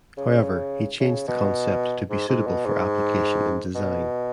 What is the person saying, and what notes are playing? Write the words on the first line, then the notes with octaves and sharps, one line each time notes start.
However, he changed the concept to be suitable for application in design.
C#3
C#3
B2
G#2
G#2
B2
G#2
B2